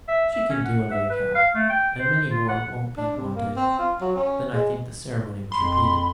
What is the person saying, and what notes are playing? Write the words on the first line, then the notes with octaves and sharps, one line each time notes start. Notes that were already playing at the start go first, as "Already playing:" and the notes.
"She can do another cap, and many more won't be wanted." Then I think the ceremony was repeated.
E5
E5
C#4
F#5
E5
B4
F5
A3
G5
C5
F4
F#5
D4
C3
A#3
C4
F4
F#3
C#4
G#3
F2 B5 C6